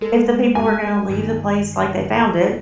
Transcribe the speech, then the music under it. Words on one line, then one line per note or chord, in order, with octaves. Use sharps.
if the people are gonna leave the place like they found it.
G#3 A4
G#5
G2 D#3